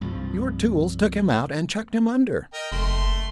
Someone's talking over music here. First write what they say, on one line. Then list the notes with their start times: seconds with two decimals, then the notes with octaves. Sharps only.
Your tools took him out and chucked him under.
0.01 C2 G2 F3
2.54 A#4 D#5 G5
2.72 F#1 A3 C6